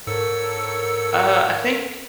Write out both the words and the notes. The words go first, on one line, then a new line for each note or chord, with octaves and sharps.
Uh, I think
G#2 A4 A#4 C#5 E6 C#7